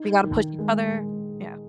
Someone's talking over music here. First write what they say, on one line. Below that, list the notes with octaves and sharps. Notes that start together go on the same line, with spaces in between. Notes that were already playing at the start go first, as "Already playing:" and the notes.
we gotta push each other, yeah.
Already playing: D#4
D#3
G#3